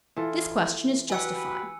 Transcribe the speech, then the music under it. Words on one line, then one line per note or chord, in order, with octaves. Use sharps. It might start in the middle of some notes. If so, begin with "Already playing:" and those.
This question is justified.
E3 F4 A4
F#4 G4 B4 G#5 E6 C#7